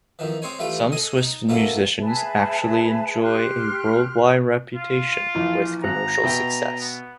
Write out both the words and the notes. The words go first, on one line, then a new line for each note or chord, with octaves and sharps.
Some Swiss musicians actually enjoy a worldwide reputation, with commercial success.
F2 D#3 E3
G#3 C4 C5 C#5 G#5
E3 G3 A3 F4 B4 G5
G#4 A4 D#5 G#5
D#4
F#2 B2 A3 A#3 E4 B4
G#4 B4 E5 A5
G4 C6 F6 F#6
F4
A#1 E3
G#1 A#5 F#6
B2 E5 G5
B3